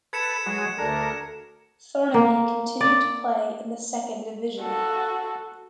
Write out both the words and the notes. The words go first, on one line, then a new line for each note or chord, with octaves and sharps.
Thornaby continue to play in the second division.
A4 B4 G#6 C#7 E7
F#3 G#3
D2 D4 A4 A#4
A#3
D5
F#4 A4